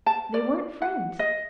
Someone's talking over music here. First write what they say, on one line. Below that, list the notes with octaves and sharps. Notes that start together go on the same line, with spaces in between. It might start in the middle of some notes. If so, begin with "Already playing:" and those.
They weren't friends.
A5
D5
F#5
D#5